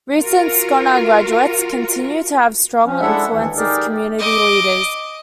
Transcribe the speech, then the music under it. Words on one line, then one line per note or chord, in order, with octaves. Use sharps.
Recent Scona graduates continue to have strong influence as community leaders.
F4 F#4 A#4
F3 C#4
G#3 D4 E4 A4 E5 F#5
D#2 E3
D#4 G4 G#4 A#4 D5
D#5 D6